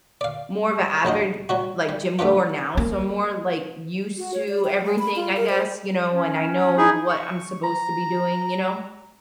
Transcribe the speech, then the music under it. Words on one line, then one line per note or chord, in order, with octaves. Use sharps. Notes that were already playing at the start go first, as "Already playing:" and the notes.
more of a avid, like, gym goer now, so I'm more, like, used to everything, I guess, you know, and I know what I'm supposed to be doing, you know?
D5 F5
A1 F#3 D4 D#5
F#3 G3 F#4
G3
A3 B3 D4 F4
A#3
F#4
C#5
D5
G5
G#3
B5
F4
A#4
C5
C#4
D#4 E4 G#4
C#6
A#5